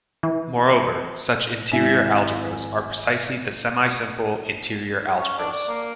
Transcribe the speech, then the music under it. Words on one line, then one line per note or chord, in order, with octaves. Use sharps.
Moreover, such interior algebras are precisely the semisimple interior algebras.
E3
G#1 E4 E5 G#5 B6
C#4
D4
D5
A#3